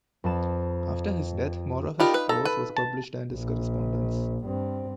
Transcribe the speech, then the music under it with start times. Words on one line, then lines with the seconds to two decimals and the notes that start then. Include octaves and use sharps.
After his death, more of his prose was published and his correspondence.
0.24 F2 B4 A5 E7
2.00 D4 D#4 F4 G4 A#4 B5
2.14 B4
2.29 A4 A#5
2.45 B4
2.77 A5
3.33 A#1
4.44 G2 C4